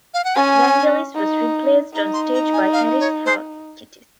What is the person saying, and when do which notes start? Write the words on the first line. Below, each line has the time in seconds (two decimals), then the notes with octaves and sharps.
Vangelis was replaced on stage by Harris Halkitis.
0.14 F5
0.24 F#5
0.35 C#4 G#5
1.15 D#4
1.94 D#4 A#5
2.14 C6
2.34 A#5
2.53 G#5
2.73 F5
3.00 C#5
3.26 C5